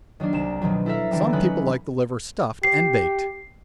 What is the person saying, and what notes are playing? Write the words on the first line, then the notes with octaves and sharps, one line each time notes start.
Some people like the liver stuffed and baked.
D#3 F#3 A#3 D4
C2 E7
B2 D#3 F3 F#3
E4 A4 A#4 E5 F5
D3 E3 G3 D4
D#3 F#3 C#4 D#4 B5 F#6
G4 C7